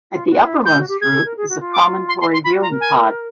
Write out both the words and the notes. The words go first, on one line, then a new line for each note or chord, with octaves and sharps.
At the uppermost roof is a promontory viewing pod.
F4
F#4
F4
E4
F4
G6
F#4
G4
G#4 G#6
A4
A#4
G#4
F#4
F4
D6
C6
C6
C6
F4 B5
F#4
F4 A#5
A#4
G#5